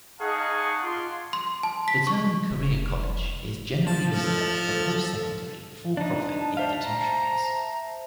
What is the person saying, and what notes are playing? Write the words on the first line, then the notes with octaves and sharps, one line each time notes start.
The term "career college" is generally reserved for post-secondary for-profit institutions.
D#4 G#4 F5 F#5 A5 C#6
F4 C6 D6
C6
A5
B6
C#6
F1
F3 A5
F3 A4
D4 D#4 A5
D4 C5 E5 F5
A#5